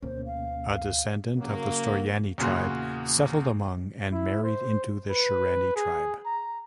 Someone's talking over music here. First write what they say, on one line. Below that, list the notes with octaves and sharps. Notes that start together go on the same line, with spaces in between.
A descendant of Storyani tribe settled among and married into the Sherani tribe.
D2 B2 A#3 C#4 C5
F5
C#3 F#3 A#3
E2 A#2 C#3 F#4 C#5 C6
E4
C5
B4
G#4
A#5